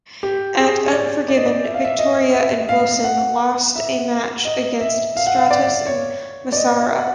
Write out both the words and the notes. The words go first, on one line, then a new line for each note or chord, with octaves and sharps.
At Unforgiven, Victoria and Wilson lost a match against Stratus and Massaro.
G4
G#4
C#5
D5
D5
D#5
D5
E5
F5
E5
D#5
E5
F5
F#5
E5
D#5
E5
F5
F#5
F5
D5
C#5
D5
D#5
E5
F#5